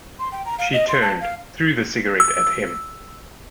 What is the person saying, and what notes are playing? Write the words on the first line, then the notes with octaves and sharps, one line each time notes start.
She turned, threw the cigarette at him.
C6
G5
A#5
F5
D#5
C6
A5
F5
E6